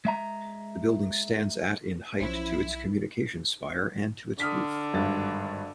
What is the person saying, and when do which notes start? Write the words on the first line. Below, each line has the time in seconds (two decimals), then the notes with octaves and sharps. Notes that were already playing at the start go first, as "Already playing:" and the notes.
The building stands at in height to its communications spire and to its roof.
0.05 G#3 E5 A#5
2.20 B1 F3 C#4 E4 C5
4.40 D3 D#6 F6 B6
4.93 G#1 G2 A6